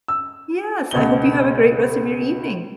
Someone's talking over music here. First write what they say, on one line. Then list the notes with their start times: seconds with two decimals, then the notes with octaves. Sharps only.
Yes. I hope you have a great rest of your evening.
0.08 E6
0.91 C#2 B2 G7